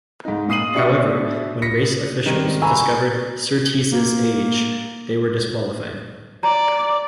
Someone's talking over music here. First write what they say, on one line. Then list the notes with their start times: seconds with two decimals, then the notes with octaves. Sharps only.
However, when race officials discovered Surtees's age, they were disqualified.
0.25 G#2 D#4
0.49 A#2 D#6 C7 D#7 F#7
0.74 B2 D4 G4 E5 C#6 C#7
1.62 A#6 B6 C#7
2.26 D#3 G3 C4
2.62 G#5 A#5 B5 C#6 E6
3.92 A#3
6.43 D5 A#5